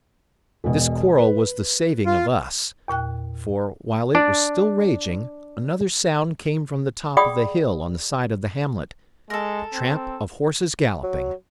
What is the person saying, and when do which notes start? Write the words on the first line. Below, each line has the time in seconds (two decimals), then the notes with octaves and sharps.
This quarrel was the saving of us, for while it was still raging, another sound came from the top of the hill on the side of the hamlet--the tramp of horses galloping.
0.64 E1 B2
1.18 B4
2.06 F4
2.88 E2 A#2 G5 F#6
4.15 D4 D5
7.17 G#4 D5 F#5 G5 B5 D#6
9.30 G#3 A4 A#4
9.73 C4
11.03 F#3